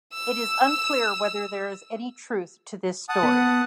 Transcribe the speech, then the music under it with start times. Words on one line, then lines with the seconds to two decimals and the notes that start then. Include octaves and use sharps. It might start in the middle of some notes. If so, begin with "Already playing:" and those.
It is unclear whether there is any truth to this story.
0.13 E6
3.09 F#5 A5 D#6
3.23 B3